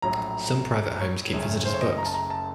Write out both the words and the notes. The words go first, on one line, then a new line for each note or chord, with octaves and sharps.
Some private homes keep visitors' books.
A#1 A2 F#3 A#5
C#5
F#1 F#2 C#3 A3 C#4
C5
C#5
D#5
A#5
A5
A#5
A5